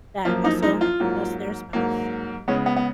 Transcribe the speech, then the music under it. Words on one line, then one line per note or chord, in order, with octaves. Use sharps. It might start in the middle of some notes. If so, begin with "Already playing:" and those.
that also lost their spouse, um
F#2 F3 A#3 F4
D#4
D#4
F4
G#2 F#3 A#3
G#2 F#3 A#3
C#3 G#3 B3 C#4
B3
B3